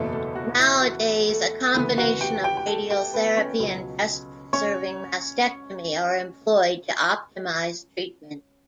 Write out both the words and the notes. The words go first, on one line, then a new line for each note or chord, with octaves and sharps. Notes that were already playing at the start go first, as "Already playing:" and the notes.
Nowadays, a combination of radiotherapy and breast conserving mastectomy are employed to optimize treatment.
Already playing: F#1 E2 B2 A3 A4
A3 A4
F#4
E4
F#4
A3 A4
D2 C#3 E3 A3 B3 B4
F#4 F#5
G4 G5
G4 G5
G5
A4 A5
G4 G5
B3 B4
C#4 C#5
C#2 B2 F#3
C#4 C#5